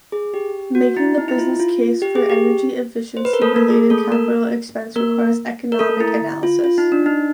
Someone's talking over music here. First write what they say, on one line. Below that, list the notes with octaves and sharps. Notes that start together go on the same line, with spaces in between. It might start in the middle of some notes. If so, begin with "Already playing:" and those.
Making the business case for energy efficiency-related capital expense requires economic analysis.
G#4
G4
F#4
E4
D#4
E4
F4
F4
G4
G#4
G4
C5
B4
A#4
A3 A4
A#3 A#4
G#4
A3 A4
A#3 A#4
A#3 A#4
A#4
A3 A4
E4
F4
F4
D#4
D4
D#4